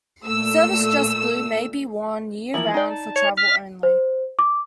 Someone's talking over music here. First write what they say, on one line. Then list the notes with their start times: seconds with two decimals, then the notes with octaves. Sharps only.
Service Dress Blue may be worn year round for travel only.
0.26 A#2 A3 E6
2.54 E3 F3 A#3 F#7
2.74 D#4 D5 G5
2.89 A5
3.16 C#5
3.37 F6 B6
3.83 C5
4.39 D6